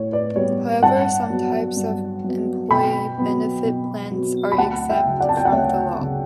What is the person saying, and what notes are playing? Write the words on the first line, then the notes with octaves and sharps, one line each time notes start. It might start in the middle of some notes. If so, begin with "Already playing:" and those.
However, some types of employee benefit plans are exempt from the law.
Already playing: A2 C#5
B4 D5
G3 B3 C#5
G2 F#5 A5
F#3 B3
G2
F#3 B3
B2 G5 B5
F#3 B3
B2
F#3 B3
B5
D2 F#5 A5
E5 G5
C#3 F#3
D5 F#5
A5
G5
F#5
D2 C#5 E5
C#3 F#3